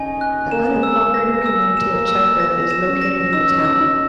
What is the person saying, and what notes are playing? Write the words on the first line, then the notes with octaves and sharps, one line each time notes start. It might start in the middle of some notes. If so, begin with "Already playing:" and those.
The unincorporated community of Czechville is located in the town.
Already playing: C#4 D#4 G#5
F#6
A#3 E7
G#3
E6
A#3
A#6
B3
A#3 E6
E7
A#3
E6
B3 A#6
E7
C#4
A#6
D#4 E6
C#4
D#4 E6
D#4